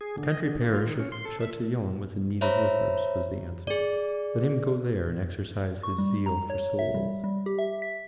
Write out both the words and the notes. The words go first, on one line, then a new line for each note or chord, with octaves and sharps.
The country parish of Chatillon was in need of workers, was the answer; let him go there and exercise his zeal for souls.
G#4
D3
D#5
D3
A#3
F4
D#3
C#4
C6
A4
E5
C5 C#5 E5 A#5 B5
G#4 D5
C#6
G3
A#5
C#5
E5
G3
G3
G4
E5
B6